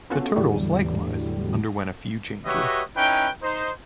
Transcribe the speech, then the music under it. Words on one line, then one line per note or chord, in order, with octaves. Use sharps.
The Turtles, likewise, underwent a few changes.
B3 C#4 F4 F#4 A4
E2 A2 D3 E3 F#3 G3
F#4 G4 B4 C#5 D#5 E5
C#4 D#4 E4 B4 G5
D#4 C5